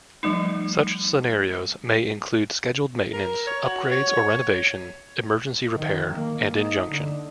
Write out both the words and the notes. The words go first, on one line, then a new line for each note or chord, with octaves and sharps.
Such scenarios may include scheduled maintenance, upgrades or renovation, emergency repair, and injunction.
F3 G3 A3 D#4
A#4
C#5
F#4
C#5
D#3
A#3
D#4
D3